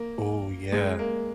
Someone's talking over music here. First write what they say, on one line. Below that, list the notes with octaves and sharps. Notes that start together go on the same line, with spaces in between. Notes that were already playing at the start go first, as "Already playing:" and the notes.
Ooh, yeah.
Already playing: A#3
G#3
A#3